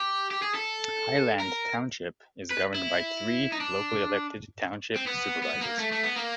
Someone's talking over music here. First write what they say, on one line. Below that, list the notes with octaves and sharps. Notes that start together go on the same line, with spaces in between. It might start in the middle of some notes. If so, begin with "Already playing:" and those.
Highland Township is governed by three locally elected, Township Supervisors.
Already playing: G4
G4
G#4
A4
A#4
B4
E4
D#4
D4
C4
B3
B3
A#3
A3
A3
B3
A#3